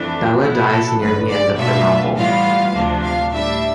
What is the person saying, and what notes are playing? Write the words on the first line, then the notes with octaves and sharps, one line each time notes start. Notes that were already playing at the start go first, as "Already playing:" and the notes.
Bella dies near the end of the novel.
Already playing: F2 E3 A3 D4
B2 B3 E4
A4
A1 G2 D3 B4
D5
B2 A3 D4 F4 E5
A2 E3 G3 B3 F4 F5
D2 C3 F3 A3 D4
F5
A2 G3 D4 E5